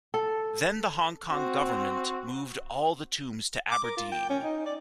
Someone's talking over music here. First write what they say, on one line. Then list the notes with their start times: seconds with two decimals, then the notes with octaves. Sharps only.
Then the Hong Kong Government moved all the tombs to Aberdeen.
0.14 A4
1.30 C4 F#4
3.71 D6
3.84 A#4
3.97 F4
4.12 G5
4.29 C#4
4.43 D#4
4.66 D5